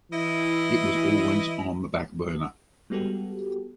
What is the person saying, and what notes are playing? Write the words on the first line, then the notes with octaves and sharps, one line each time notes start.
It was always on the back burner.
E3 E4 D#5 E5
G3 G#3 B3 F#4 G4 A4